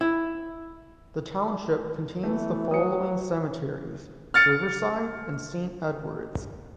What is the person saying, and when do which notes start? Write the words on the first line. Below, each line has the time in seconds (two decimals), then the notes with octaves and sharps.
The township contains the following cemeteries: Riverside and Saint Edwards.
0.01 E4
2.23 E3 A3 B3 B4
2.71 F#3 D#6 C#7
4.34 F6 A6 C#7